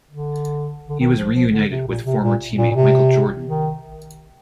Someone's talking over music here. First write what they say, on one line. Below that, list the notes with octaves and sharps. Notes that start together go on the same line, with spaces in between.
He was reunited with former teammate Michael Jordan.
D3
D3
D#3
F3
F3
D3
C3
A#2
C3
A#2
A#2
A#2
C3
D#3